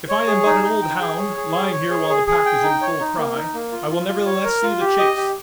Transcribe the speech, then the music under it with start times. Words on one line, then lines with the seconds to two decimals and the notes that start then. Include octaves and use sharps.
If I am but an old hound, lying here while the pack is in full cry, I will nevertheless see the chase!
0.09 C#5
0.27 G#4
0.46 D#4
0.63 D#4
0.82 G5
1.01 G#4
1.18 C#5
1.37 G#4
1.55 C#5
1.72 C#5
1.90 G#4
2.09 G#4
2.27 G#4
2.45 G5
2.63 D#4
2.81 C#5
3.00 D#4
3.17 A#3
3.35 D#4
3.54 A#3
3.72 F4
3.90 F4
4.09 F4
4.26 C#5
4.44 A#4
4.63 F4
4.81 G4
4.98 D#5
5.17 G4